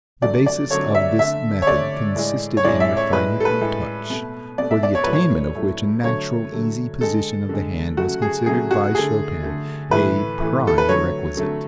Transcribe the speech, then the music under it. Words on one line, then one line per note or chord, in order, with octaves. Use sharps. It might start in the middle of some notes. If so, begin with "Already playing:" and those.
The basis of this method consisted in refinement of touch, for the attainment of which a natural, easy position of the hand was considered by Chopin a prime requisite.
D3 F#3 A3 D5
D5
D3 F#3 A3 C#5
E5
D3 A3 E5
C#5
D3 A3 D5
A2 G#3
C#5
A2 G#3 D5
E5
C#5
A2 G#3 B4
A4
B4
A2 G#3
B2 A3
B2 A3 D5
E5
D5
C#5
A2 F#3 A3 B4
C#5
A2 F#3 A3
D3 F#3 A3 C#5
D3 F#3 A3
D3 G#3 A4
D3 G#3
C#3 F#3 A3 F#4
G#4
C#3 F#3 A3 G#4
F#4
D3 A3 G#4
D3 A3
A2 E3 A3 B4
A2 E3 A3
A4
B4
D3 F#3 A3 C#5
D3 F#3 A3